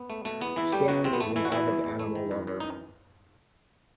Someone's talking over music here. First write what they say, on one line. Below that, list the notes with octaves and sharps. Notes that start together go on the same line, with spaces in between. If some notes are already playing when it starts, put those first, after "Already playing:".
Stan is an avid animal lover.
Already playing: B3
A3
B2 A3
E2 B3
E2 E3 E4
G3 A3 G4
B2 F#3 F#4
E2 C3 C4
B3
E2 A3
E3 A3 E4
F#4
B2 E3 E4
E2
E2
A3
D#3
F#2
F#2
D#4